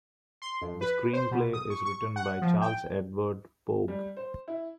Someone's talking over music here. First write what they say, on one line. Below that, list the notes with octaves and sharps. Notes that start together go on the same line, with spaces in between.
The screenplay is written by Charles Edward Pogue.
C6
F2
B4
C5
B2
D#6
C#6
C#6
F#5
F3
G5
G3
C5
E4